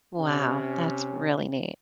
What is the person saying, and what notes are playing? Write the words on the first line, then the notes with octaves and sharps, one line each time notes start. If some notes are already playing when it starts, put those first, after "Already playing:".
Wow. That's really neat.
C3 C#4